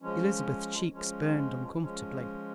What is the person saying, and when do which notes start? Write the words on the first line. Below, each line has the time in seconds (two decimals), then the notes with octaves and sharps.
Elizabeth's cheeks burned uncomfortably.
0.02 F3 G#3 C#4
0.92 F3 G#3 C#4
1.81 F3 G#3 C#4